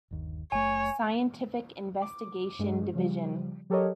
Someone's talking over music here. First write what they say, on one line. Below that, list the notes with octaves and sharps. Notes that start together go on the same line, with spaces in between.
Scientific Investigation Division.
G1 D#2
F#1 A3 C#5 G#5
D6
G2 G#3
C#3 F3 G3
F#3 G4 A4 A#4 C#5 D#5